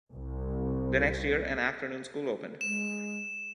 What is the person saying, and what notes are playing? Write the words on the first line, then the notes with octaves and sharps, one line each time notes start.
The next year, an afternoon school opened.
C2
G#3 E7